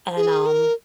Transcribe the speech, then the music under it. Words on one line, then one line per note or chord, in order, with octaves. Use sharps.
And, um,
G#4
A#4